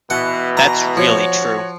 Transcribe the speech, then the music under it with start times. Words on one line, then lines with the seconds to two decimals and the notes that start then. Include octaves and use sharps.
That's really true.
0.10 B2 E3 F#5
0.57 A#5
0.97 F3 F#4 C#5